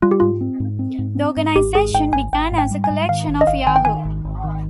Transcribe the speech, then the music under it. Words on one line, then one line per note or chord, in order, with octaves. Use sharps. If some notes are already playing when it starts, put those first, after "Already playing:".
The organization began as a collection of Yahoo!
G3 F4
G4
G#2 F4
C4
G#2
C4
G#2
C4
G#2
G#1 G4
G#2 G#4
G#1 G5
G#1 G#5
G#1 G5
G#2
G5
G3
G#5
G#2
D#3 F5
G#1
D#5
G#1 F5
D#3 G#5
G5
D#3 G#5
G#1
G#1
D#3